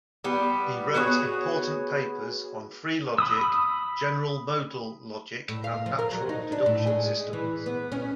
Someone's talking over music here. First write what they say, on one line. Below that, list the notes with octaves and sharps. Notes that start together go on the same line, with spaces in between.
He wrote important papers on free logic, general modal logic, and natural deduction systems.
G3 B3
B3 F#4 G#4 C#5
B5 D#6 E6
A2
F5
F3
A#4
F#3
D#4
D4
A2
G#3
E3
B3
C#4